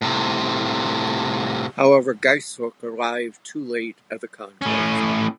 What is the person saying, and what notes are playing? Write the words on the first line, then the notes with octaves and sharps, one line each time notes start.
However Gaisruck arrived too late at the conclave.
A2 C3
A2 C#4